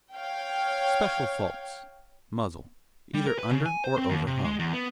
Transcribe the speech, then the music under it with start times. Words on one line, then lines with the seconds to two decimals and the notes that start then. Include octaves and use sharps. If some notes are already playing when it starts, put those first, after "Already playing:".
SPECIAL FAULTS: MUZZLE--Either under or over hung.
0.15 C#5 F5 G5
3.14 G3
3.26 A#4
3.39 B4
3.50 C#3
3.66 G#5
3.84 C5
3.98 C4
4.10 D#2
4.27 C3
4.44 G#3
4.59 E2
4.74 B3